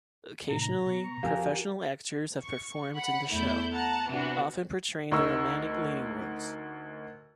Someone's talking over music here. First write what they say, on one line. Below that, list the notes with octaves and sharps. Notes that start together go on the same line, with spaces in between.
Occasionally, professional actors have performed in the show, often portraying the romantic leading roles.
A2 C3 D#3 A#5
B2 C#6
F2 F#4 G4 A#4 F5 G#5
C#6
F#5 B5
E2 A3 E4 G6
F#5 A5 A#5
C3 E3 B3 D4 F#4
D2 D#4 A#4 C#6 E6